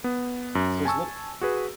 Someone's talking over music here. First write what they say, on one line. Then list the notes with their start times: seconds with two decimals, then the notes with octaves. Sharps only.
So, it was lit
0.04 B3
0.55 F#2
0.85 G#5 A5 C#6 E6
1.41 F#4 G#4 B4